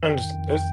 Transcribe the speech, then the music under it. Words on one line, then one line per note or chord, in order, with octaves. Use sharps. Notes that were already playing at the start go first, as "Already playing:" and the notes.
And it's
Already playing: F2
D#3 G5
D#3
F2
G5